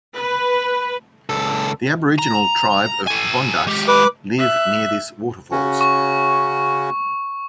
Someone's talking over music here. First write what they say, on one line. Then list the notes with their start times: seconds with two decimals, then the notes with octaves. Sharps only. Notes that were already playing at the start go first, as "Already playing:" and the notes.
The aboriginal tribe of 'Bondas' live near this waterfalls.
0.15 B4
1.30 C#2 A4
2.19 A#5
3.07 A4 G#5
3.67 G#3 G4
3.88 B4 D6
4.38 E5 F#6
5.51 C#3 C#4 F#4
5.81 C#6